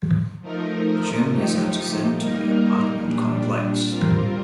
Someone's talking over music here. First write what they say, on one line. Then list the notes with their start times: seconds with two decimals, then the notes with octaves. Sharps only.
The gym is adjacent to the apartment complex.
0.41 F3 A3 D#4 A#4
1.28 F3 A3 D#4 G4
2.14 G3 A#3 D#4 A#4
3.01 A#2 G3 D4
3.88 G3 C4 F4 A#4